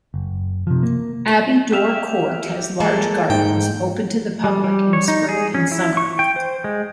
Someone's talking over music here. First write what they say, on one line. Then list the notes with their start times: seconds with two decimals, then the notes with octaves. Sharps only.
Abbey Dore Court has large gardens open to the public in spring and summer.
0.14 F#1
0.67 C3 F3
0.83 A#3
1.72 G4 E5 F5
2.80 G#3 A#3 A4
3.30 G#2 G5
4.44 G3
4.64 G3
4.93 C#5
5.08 D#4
5.28 G#4
5.54 C#4
5.72 E4
5.97 C#6
6.19 G5
6.36 C5
6.64 G#3